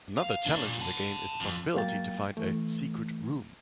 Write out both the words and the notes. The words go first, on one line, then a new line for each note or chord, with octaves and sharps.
Another challenge in the game is the possibility to find a "secret room".
F5
A#3 D4
A#2
F#5 A5
F2
G#2 F#3 A#3 F5 G5 A6
E3 A3